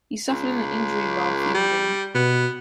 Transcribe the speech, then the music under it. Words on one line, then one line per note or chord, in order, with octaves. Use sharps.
He suffered an injury while fielding.
C#2
G3
B2 B3